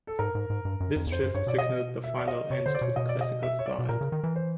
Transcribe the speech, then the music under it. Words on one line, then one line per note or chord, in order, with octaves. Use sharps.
This shift signaled the final end to the Classical style.
A4
G#2 A#4
G#2
G#2
G2
F#2
F2
E2
F2 C5
F#2
G2 C#5
B2 D5
D#5
E5
D5
D#5
C3 C#5
D3 C5
D5
B2 C#5
B2 D#5
D5
D#5
E5
C#5
D5
B2
A#2 A#4
C#3
D#3
E3
C5